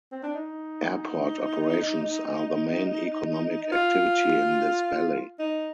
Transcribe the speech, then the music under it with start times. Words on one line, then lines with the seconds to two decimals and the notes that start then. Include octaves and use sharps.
Airport operations are the main economic activity in this valley.
0.12 C4
0.23 D4
0.35 D#4
3.72 F4
5.39 D#4